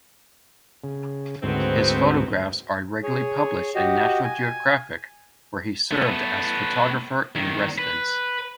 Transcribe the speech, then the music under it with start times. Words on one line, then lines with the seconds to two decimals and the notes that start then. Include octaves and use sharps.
His photographs are regularly published in "National Geographic", where he served as photographer-in-residence.
0.84 C#3
1.43 D2 G#2 F#3 B3 C4
3.03 G#4 C#5
3.75 F#4 G4 D#5
4.24 G#5
5.91 A3 B3
7.35 C2 D#3
7.78 B4